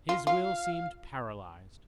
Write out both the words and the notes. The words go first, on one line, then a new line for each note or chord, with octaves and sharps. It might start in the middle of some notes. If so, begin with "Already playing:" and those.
His will seemed paralysed.
F4
F4 F5